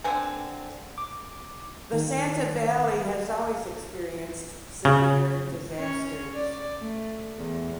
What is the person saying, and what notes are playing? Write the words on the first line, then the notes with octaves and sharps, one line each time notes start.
The Santa Valley has always experienced severe disasters.
D3 C4 G#5
D6
D#3
C#3
C#4 C#5
D5
A3
E2